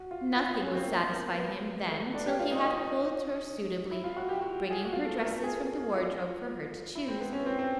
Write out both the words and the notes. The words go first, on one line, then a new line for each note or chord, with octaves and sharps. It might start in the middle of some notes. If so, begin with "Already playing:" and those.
Nothing would satisfy him then till he had clothed her suitably, bringing her dresses from the wardrobe for her to choose.
Already playing: F#4
F4
F4
F4
C#4
C4
A#3
B3
B3
A3
B3
D4
G4
F4
D#4
D#4
D#4
E4
F4
F#4
G4
F#4
G#4
G4
F#4
F4
A4
A#4
A4
G#4
F4
E4
C4
B3
C#4
C4
C4